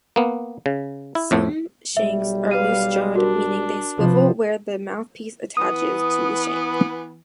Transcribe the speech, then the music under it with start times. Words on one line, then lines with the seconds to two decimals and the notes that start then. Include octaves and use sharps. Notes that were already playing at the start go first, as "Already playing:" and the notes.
Some shanks are loose-jawed, meaning they swivel where the mouthpiece attaches to the shank.
0.16 A#3 B3
0.66 C#3
1.15 E4
1.31 F2 A2 A3
1.97 B1 G3 E5
2.51 B4 F5 D#7
3.16 D4 F#4 A#4
3.98 C3 F3 B4
5.57 E3 B3 D#6